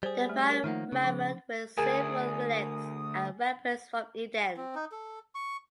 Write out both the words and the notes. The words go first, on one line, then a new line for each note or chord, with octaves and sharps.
They find Mammon with several relics and weapons from Eden.
G3 G#4 C5
A3
A#4 C#5
D#3 F3 A3 A#3 D#4 F#5
C#3
F3
D2 G#4 A#4 D#6
C4
D#4
A4
C#6